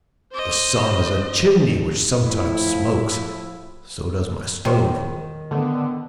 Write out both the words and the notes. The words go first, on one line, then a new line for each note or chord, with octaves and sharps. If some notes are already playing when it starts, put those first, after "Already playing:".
The sun is a chimney which sometimes smokes; so does my stove.
C5 D#5
A2 F3 E4
D#3 G3 C5 C#5
A2 D3 A3 B3